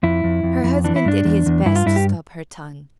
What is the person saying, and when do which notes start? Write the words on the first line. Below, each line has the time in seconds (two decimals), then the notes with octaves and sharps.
Her husband did his best to stop her tongue.
0.03 F2 E4
0.24 F2
0.43 F2
0.64 F2
0.84 E3 D4
0.96 E4
1.05 G2 D4
1.25 E2
1.46 E2
1.66 G2 E4
1.76 F4
1.86 G2 E4
1.96 G4